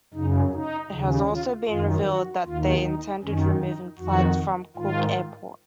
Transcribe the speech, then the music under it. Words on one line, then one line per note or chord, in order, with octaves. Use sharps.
It has also been revealed that they intended removing flights from Cork Airport.
F#2 C#3 D#4
D#4
D#2 C#3
F4
F#2 D#3 F4
F#4
D#2 D#3 F4
D#4
F#2 D#3 C#4
D#4
F2 D#3 F#4
G#2 D#3 F4